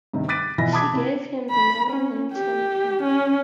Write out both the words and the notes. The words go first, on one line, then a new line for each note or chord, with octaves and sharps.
She gave him the middle name Champion.
G2 C3 D#3
D6 F#6 A6 B6 D7 D#7
B2 E3 F3 E4 A#6
A5 B5 D6 D#6 G#6 B6
C3 E4
B5
C#4
G4
C#4